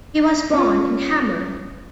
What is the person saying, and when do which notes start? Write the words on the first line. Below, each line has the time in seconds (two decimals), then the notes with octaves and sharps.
He was born in Hamar.
0.54 C#4 F4